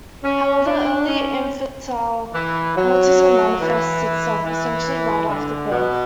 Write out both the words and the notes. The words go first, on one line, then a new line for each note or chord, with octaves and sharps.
However, early infantile autism manifests itself essentially right after birth.
C#4
D4
C#4
E3
F#3
E3
E3
D3
B2